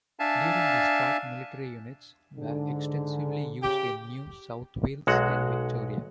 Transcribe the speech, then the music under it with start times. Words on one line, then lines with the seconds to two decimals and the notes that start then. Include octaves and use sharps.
During the strike military units were extensively used in New South Wales and Victoria.
0.19 D4 E5 F5 G#5 A5
2.37 G#2 D3
3.63 C#3 G4
5.07 B1 F#3 G#3 F#4 F#5